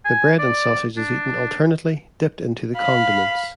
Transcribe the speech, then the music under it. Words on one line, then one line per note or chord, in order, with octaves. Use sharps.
The bread and sausage is eaten alternately, dipped into the condiments.
G#5
D5
D4
F5 B5